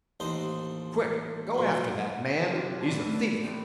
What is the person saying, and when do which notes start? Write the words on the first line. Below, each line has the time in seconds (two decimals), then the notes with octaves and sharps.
"Quick--go after that man--he's a thief!"
0.20 A1 D#2 C5 D#5
1.55 B1 A#2
2.49 F#2 C3 F3 F#3 D#4 F4
2.81 E3 D4 A5
3.06 A3
3.43 A2 E3 C4